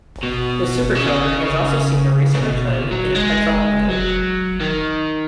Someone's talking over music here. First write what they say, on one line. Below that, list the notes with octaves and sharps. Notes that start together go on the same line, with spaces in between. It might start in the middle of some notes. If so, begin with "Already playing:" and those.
The supercharger has also seen a recent return in a petrol engine.
B2
C#3
C#3
B2
A#2
F#3
G#3
F#3
D#3